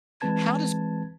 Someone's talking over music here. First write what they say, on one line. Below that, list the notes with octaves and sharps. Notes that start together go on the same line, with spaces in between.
how does
E3 G#3 C4 B4 A5 G#6